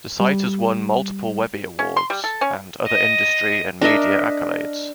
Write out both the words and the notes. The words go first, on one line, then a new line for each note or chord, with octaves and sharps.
The site has won multiple Webby Awards and other industry and media accolades.
G3
C#4
C6
G3
A4
C#4
D#5
D4 A#4 D#5 E5